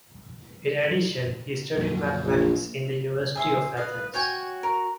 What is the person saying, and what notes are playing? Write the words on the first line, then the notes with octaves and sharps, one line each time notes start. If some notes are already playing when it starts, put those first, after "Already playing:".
In addition, he studied Mathematics in the University of Athens.
F2 A#2 F#3
A#1
G#4 E5 C6
B4 D#5 F5
F#4 C#5 G5 G#5
A#4